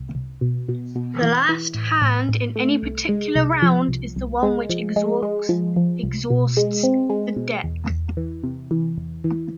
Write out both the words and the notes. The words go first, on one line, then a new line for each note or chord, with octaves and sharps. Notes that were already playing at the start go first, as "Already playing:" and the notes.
The last hand in any particular round is the one which exhausts the deck.
Already playing: C2
C2
B2
B2
B2
E3
E3
A2
A2
A2
A3
C2
G#3
C2
F3
C2
C2
G#3
F3
G#3
G#3
F3
F3
C2
B2
G#3
C4
G#3
B2
E2
E2
E3
C3
E3
E2
E3